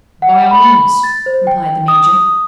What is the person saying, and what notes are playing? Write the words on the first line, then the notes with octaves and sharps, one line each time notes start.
"By all means," replied the major.
F#5
B5
A6
C5
G5
D#6